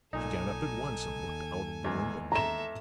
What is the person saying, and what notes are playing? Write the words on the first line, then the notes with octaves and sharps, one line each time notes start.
She got up at once and looked out of the window.
B1 A#2 D#4 A4 G#5
D#2
E2 G#2
A4 E5 A#5 E7